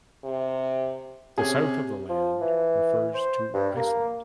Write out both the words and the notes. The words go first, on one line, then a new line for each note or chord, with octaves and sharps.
The south of the land refers to Iceland.
C3
C3 C#4 G#4
F3
E3
C5
G2
A#3